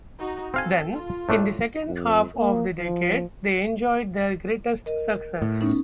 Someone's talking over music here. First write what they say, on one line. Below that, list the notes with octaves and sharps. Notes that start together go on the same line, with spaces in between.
Then, in the second half of the decade, they enjoyed their greatest success.
D#4 F#4
C4 A4 F5 G#5
F4
A2 A3 D4
F2
A#3
F3
A#4 D#5
A2
B3 C#4 D#4